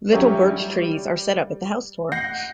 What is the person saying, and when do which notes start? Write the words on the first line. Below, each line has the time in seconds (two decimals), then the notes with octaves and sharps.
Little birch trees are set up at the house door.
0.12 F#3 C#4 G4 C#5 E5
0.43 G3
2.12 F#5 G6 A#6 C7